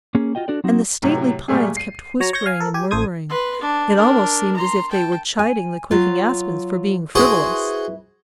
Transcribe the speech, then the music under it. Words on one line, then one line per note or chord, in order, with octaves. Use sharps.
And the stately pines kept whispering and murmuring; it almost seemed as if they were chiding the quaking aspens for being frivolous.
A#3 C#4 G#4
F4 F#4 D#5 G5
D4 F#4 A4 D5
F#3 C4 D#4 F#4
A2 C3 F#3
A#2 G3 A3 G#4
C7 D#7
F#3 C#5 A#5
C#5 C#6 G6 A#6
F5 G#5
A4 A#4
G4 G#5
A1 A4 C5 D#6 G#6
B4 C6
D4
D4 A#4
A#5 C6
G5 A5
G#5
F#3 F4
E4 F#4 G#4 B4 C5